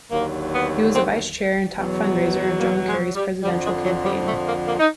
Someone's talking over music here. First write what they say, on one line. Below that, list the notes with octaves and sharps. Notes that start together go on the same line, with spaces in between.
He was a vice-chair and top fund-raiser of John Kerry's presidential campaign.
D#2 D3 F#3 A#3
B3
C4
E2 B2 F#3
A#3
G#3
G3
F2 D3 F3 G3
G#3
F#3
G3
A3
A#3
A#3
D#4